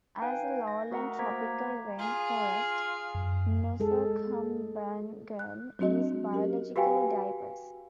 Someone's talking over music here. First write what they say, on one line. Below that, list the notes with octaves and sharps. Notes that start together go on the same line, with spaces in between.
As a lowland tropical rain forest, Nusakambangan is biologically diverse.
D#4 B4 F5 G5 G#5 G6
A#6
A3 F#4 A#4 E5 F#5 A#5
A#3 C5 A#5 D6 G#6 B6
F4 G#4
F#2
G#3 G#4 A4
F#6
F#3 C4 D4 F#4 D#5
C#4 G4 A#4
F#4 G4 B4 F5 G5 G#5